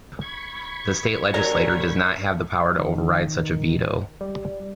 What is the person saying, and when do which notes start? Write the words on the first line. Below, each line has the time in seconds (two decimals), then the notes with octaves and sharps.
The state legislature does not have the power to override such a veto.
0.21 B5 C#6 G#6
1.34 D#2 F#3 C#4 A#4 D5
2.79 D#3
4.21 G3